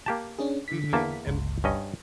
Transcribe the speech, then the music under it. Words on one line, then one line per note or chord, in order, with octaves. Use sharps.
Mhm, and
A#3 G4 A5
C#4 D4 G#4
D3 B6
E2 A#3 A5
G1 C#2
G2 C#4 D#5